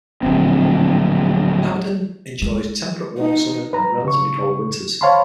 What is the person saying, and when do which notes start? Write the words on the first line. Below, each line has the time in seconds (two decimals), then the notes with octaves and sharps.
Hamadan enjoys temperate warm summers and relatively cold winters.
0.23 D1 A#1 C4
2.42 G#3
3.18 D#4
3.73 B4 A#5
4.05 C#3 C#6
5.01 C5 C#5 F5 A5 B5 C6